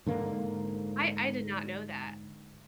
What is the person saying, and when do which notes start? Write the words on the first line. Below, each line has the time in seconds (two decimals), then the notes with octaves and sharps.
I I did not know that.
0.07 G#2 D3 A#3